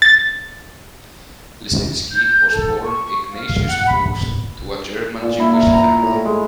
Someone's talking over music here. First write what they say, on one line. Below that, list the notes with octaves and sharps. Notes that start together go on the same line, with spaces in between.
Lisinski was born Ignatius Fuchs to a German Jewish family.
A6
G6
A4
C#6
F5
F#5
B5
A#2
E4
A#4
A#5
A2
G#3